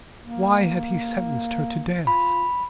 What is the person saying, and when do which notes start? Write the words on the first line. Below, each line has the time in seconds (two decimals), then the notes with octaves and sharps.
Why had he sentenced her to death?
0.23 A#3
2.07 F4 B5